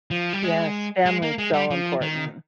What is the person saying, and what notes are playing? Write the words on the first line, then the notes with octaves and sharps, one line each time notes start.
Yes, family is so important.
F3
G3
G#3
G#3
A#3
G#3
G3
F3
D#3